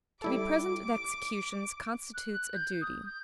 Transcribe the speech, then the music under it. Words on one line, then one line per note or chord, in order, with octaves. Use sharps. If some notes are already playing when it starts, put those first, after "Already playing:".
To be present at executions constitutes a duty.
G3 E4 A4 D6
F#6
G6
D#6
G6